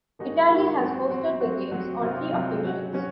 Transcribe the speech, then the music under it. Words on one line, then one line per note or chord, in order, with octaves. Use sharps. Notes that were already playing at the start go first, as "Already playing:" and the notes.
Italy has hosted the Games on three occasions.
D#3 G#3 D#4 F#4
D#3 G#3 D#4 F#4
F#3 C4 F#4
F#3 C4 F#4
F#3 C4 F#4
F#3 C4 F#4
C3 F#3 C4 F4
C3 F#3 C4 F4
F#3 C#4 F#4
F#3 C#4 F#4